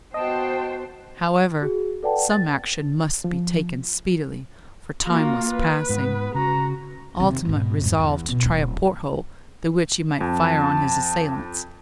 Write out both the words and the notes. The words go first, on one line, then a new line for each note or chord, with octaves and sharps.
However, some action must be taken speedily, for time was passing. Altamont resolved to try a port-hole through which he might fire on his assailants.
B3 F#4 C5 D#5 G5 A5
F#4 G#4
A4 B4 D5 F#5 G5 A5
A6
F3
A#3 F4 F#4
B4
G#2 B3
C#3 F#4 A#5
D#2 C3
G#2 B2
F2 G#2
E2
B2
D1 E4
F2 A5